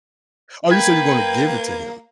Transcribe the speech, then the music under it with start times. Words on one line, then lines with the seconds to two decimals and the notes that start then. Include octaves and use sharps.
Oh, you say you're gonna give it to him.
0.71 A#3 B4 G5 G#6